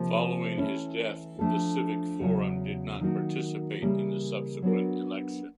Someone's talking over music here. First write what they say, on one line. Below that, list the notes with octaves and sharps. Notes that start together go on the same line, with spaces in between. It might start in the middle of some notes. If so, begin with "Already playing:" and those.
Following his death, the Civic Forum did not participate in the subsequent election.
Already playing: C3 F3 A#3
E3 A3 C#4 E4
F3 A3 D4 F4 A4
E2 C#3 F#3
D#3 F#3 A#3 D#4 F#4
C#3 E3 G3 A#3
F#3 B3 D4 F#4 A#4